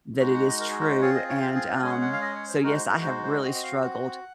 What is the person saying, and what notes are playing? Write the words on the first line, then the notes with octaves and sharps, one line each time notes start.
that it is true, and, um so, yes, I have really struggled
G#3 D#4 F#4
F#5
D#5
A#4
G#4
A#4
C5
C4 F4 G#4 C#5
D#5
C#5
C5
G#4
G#3 C#4 G#4 G#5
F#5
F#5
F5
D#5
C#5
C5
G#3 D#4 F#4 A#4
C5
A#4
C5
C5
C4 F#4 D#5
D#5
F5
F#5